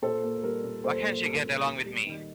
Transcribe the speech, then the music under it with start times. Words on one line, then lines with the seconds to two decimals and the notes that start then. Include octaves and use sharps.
Why can't she get along with me?
0.02 A#2 A4 C5
0.23 A#3
0.43 G3 A#4
0.64 A#2
0.84 A#2 A4 C5
1.04 A#3
1.25 G3
1.45 A#2
1.65 D#2
1.86 G3
2.06 D#3